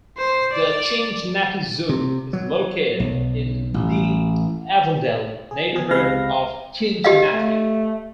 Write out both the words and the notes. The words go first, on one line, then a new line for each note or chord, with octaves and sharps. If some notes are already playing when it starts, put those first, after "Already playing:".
The Cincinnati Zoo is located in the Avondale neighborhood of Cincinnati.
C5
D5
C3
F#3
B1
A1
G#4
B2 G#4
C#2 C3 G#3 B4 F5 A#6
G4 D#5 F5
A3